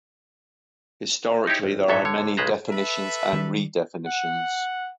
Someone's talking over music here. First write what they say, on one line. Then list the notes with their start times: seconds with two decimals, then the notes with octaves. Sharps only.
Historically, there were many definitions and redefinitions.
1.47 D#4 E4 G4 C#5
1.63 G#1
1.88 A1 G#2 F#3 A4 C#5 E5
2.05 D3 C#5
2.37 B1 C#3 G#3 B4 C5 A#5
2.69 A4 B4 E5
3.33 D#3 G3
4.06 F#5